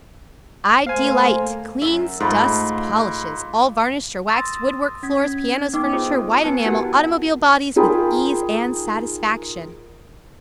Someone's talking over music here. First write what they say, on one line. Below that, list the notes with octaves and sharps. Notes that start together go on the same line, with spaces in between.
I-DE-LITE CLEANS-DUSTS-POLISHES all varnished or waxed woodwork, floors, pianos, furniture, white enamel, automobile bodies with ease and satisfaction.
A3 A#3 C5 F5 G#5
F#2 E5
G#2 A3 F4 A5 B5
C6 D#6 E6 A6 A#6
C#4 G#6 B6
B3 D#4 D#5 G5 D6
F4 G#4 C5 D#5 D#6
B3 B4 G#5 A5 F#6 C#7
E4 F#4 G4 A#4 F#5
D#4 F4 G#4 A#4 G5 B5